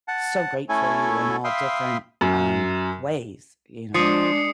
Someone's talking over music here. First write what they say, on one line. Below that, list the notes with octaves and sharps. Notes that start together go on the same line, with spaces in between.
so great for you in all different, um, ways, you know.
F#5 A5
A3 C#4 E4 A4 G#5
E5 F5 G5 B5 C6 D#6
F#2
F3 G#3 D4 D#6 C7 C#7